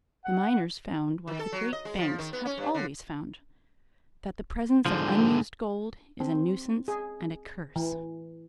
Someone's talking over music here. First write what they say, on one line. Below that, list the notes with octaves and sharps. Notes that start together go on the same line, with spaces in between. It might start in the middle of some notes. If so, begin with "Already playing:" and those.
The miners found what the great banks have always found, that the presence of unused gold is a nuisance and a curse.
F#5
D#3
A4
F#3
D#5
G#3
F3
D#3
B3
C#4
G2
D3
G#2 D3 F3
C4
G#4
E3